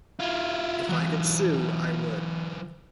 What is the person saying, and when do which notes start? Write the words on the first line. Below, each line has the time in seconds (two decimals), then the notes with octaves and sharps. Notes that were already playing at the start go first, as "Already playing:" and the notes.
If I could sue, I would.
0.19 E4 F4
0.89 E3 F#3